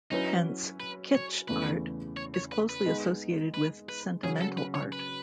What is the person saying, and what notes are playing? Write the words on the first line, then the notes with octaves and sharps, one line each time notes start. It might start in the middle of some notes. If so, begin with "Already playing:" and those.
Hence, 'kitsch art' is closely associated with 'sentimental art'.
F#3 C#4 D#4 E4 B4
B4
C#5
E2 C#3 E3 A3 B4
C#5
C#5
B4
B4
G#3 B3 D#4
B4
B4
C#3 F#3 C#4 G#4
A4
B4
C#5
B4